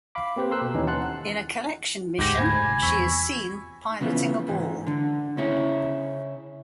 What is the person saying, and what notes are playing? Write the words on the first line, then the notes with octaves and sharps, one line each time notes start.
In a collection mission she is seen piloting a ball.
F5 B5 D6
A#3 C4 G4 B4 C5
A4 A#4 C6 E6 F#6
B2
D#2 E3 A#3 C#4 D#4
F#5 A5 C6 F#6
D2 G#2 G4 A#6
G#2 D3 A3 C5 G#5 B5 G#6
F1
E2 C#6 E6 B6
C#3 E3 F3 B3
G#2 E3
D3
C#3 C#4 E4